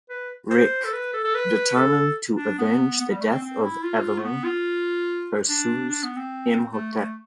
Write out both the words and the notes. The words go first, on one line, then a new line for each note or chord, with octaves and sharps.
Rick, determined to avenge the death of Evelyn, pursues Imhotep.
B4
C5
A4
B4
A4
A4
B4
A4
D4
B3
B3
G3
A3
C4
C4
E4
F4
A3
B3
F4
D4
D4
B3
C4
A3
A3